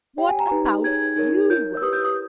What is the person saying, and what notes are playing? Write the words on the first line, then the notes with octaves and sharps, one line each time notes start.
What about you?
G4 C#5 G5
G#5
A#5
D#4 G4 B4
D#4 G#4 C#5 G#6
D#4 A#4 C#5
E4 A#4 C#5 G6
E6
G4 B4 D#6
G6
D#6